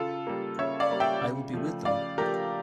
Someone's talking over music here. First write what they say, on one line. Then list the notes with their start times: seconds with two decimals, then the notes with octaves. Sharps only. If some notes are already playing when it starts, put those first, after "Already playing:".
I will be with them.
Already playing: C#3 F4 A4
0.27 G3 A#3
0.58 C#3 C#5 E5
0.80 D5 F5
0.91 G3 A#3
1.00 E5 G5
1.22 C#3
1.53 F3 A3
1.85 C#3 D5 F5
2.18 F3 A3 G4 A#4